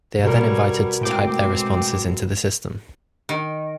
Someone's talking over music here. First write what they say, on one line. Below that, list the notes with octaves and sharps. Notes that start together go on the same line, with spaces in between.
They are then invited to type their responses into the system.
B2 G3 A#4 C#5
A2 G#3 C4 G5 D6
D#3